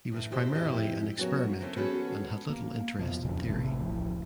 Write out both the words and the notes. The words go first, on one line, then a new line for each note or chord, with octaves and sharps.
He was primarily an experimenter and had little interest in theory.
A2 E3 A3
E4 F#4 G4 A4 C5 D#5
F2 A2 C4 E4 G4 D#5
C#3 F#3 B3 F#4 A#4 C#5
E3 F#3 C4 C#4 F#4 A4
B3 C#4 F#4 G#4 A4 B4
A#3
F2 B2 F3
F2 C#3
A1 C3 A3
D1 A#1 E3 F3